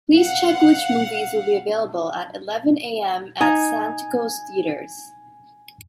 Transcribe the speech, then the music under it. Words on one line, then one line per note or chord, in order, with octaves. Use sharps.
Please check which movies will be available at eleven A.M. at Santikos Theatres?
F5 F#5
D#4 G#5 G#6